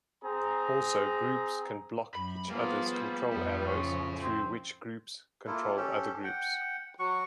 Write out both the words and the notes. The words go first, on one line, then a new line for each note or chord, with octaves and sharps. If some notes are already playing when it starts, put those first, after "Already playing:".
Also, groups can "block" each other's control arrows, through which groups control other groups.
C4 G#4 A#5
F#2 B5
G2 F3 A#3 B3 G#4 F5
G3 A#3
F2 B3 E4 A4
C#3 F3 C#5
C4
A#3 E4 F4 A4
C#4 G4 A4
F#5 G5
F#3 F#4 F#5 C#6